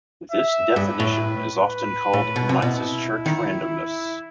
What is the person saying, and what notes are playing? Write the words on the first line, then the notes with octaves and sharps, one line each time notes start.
This definition is often called "Mises-Church randomness".
E5
G2 B4
A2
B4
A2
B2
C3
B2 E4
D#3